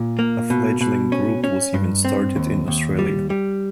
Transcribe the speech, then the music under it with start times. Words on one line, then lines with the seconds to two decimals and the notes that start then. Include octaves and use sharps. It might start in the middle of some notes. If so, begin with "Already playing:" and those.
A fledgling group was even started in Australia.
Already playing: A#2
0.19 A#3
0.50 B2
0.81 B2
1.12 C#4
1.44 C#4
1.74 G2
2.05 C4
2.36 D#2
2.68 D#2
2.99 G3
3.30 G3